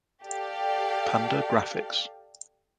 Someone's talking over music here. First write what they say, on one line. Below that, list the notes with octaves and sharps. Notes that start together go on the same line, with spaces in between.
Panda Graphics.
G4 A4 D5 F5